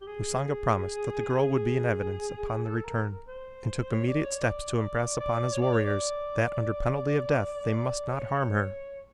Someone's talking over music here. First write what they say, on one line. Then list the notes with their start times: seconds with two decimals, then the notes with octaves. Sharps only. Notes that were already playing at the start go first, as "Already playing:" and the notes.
Usanga promised that the girl would be in evidence upon their return, and took immediate steps to impress upon his warriors that under penalty of death they must not harm her.
0.01 G4
0.07 G#4
1.35 G#4
2.64 A4
2.85 A#4
3.28 C5
3.91 C#5
4.08 D5
4.23 C#5
4.40 D5
5.20 D5
5.53 C#5
5.62 D5
5.72 C#5
5.84 D5
7.77 D5
8.08 C#5